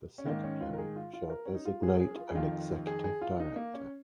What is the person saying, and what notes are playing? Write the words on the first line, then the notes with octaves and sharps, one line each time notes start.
The Secretary shall designate an Executive Director.
C#4
G#2 D#3 A#3
C#4
F4
A#4
G#4
F4
F4
A#4
C#4
D#4
F4
G#4
G#4
F4
G#4
F2 D#3 F4
G#4
G#4
F4
D#4
A#3
C#4